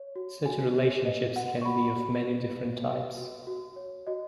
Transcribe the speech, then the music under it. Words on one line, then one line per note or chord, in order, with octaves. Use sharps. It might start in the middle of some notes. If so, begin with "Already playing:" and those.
Such relationships can be of many different types.
Already playing: C#5
F#4
F#4 G#5
C#5
B4 D#5
F#4 F#5
C#6
F#4 B5
F#4
B4
B4
B4
F#4
F#4
C#5
F#4 D#5